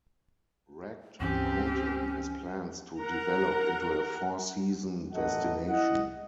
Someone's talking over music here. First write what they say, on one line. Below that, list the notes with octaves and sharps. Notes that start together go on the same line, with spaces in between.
Ragged Mountain has plans to develop into a four season destination.
C#2 G2 E3 C4 C#4 G4
A#4 F#5 A#5
A1 F#2 F#3 A4 D#5 F#5
E4 D#5 F#5